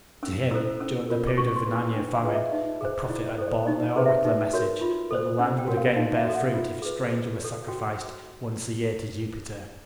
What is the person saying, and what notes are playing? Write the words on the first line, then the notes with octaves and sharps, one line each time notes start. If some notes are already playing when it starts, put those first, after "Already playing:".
To him during the period of a nine-year famine a prophet had borne the oracular message that the land would again bear fruit if a stranger were sacrificed once a year to Jupiter.
C#4 E6
E4 A4 C5 E6
C#4 E6
F4 A#4
D6
C#4 C#6
C6
E4 G#4 B4
G#5
D4 G5
F5
F4 G#4 B4 D#5
E5
D#4 D5
G#4 C5
E4 D5
D5
A4 C5
D5
D#4 D5
D5
G#4 B4
E5
D#4
F#4 A#4 C#5
F4
A4 C5
C#4 F#5
G5
F#4 A#4 C#5
F5
D#4 F5
E5
F#4 A4
F#5
F4
G#4 B4
F4
A4 C#5
F#4 G5